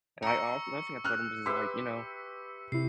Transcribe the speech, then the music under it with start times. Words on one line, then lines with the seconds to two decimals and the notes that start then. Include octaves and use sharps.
and I also nothing, I told him, was just, like, "You know,
0.23 A#5 C#6 E6 C#7
1.05 C#6 F6 F#6
1.46 G4 B4 E5 C6
2.72 C3 E4 C7